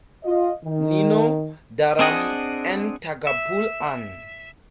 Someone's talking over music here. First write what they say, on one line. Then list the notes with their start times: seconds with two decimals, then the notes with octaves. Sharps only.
Nino, Daram, and Tagapul-an.
0.24 F4 D#5
0.65 D#3
1.99 C4 D4 G#4 D#5 F#5
3.27 E5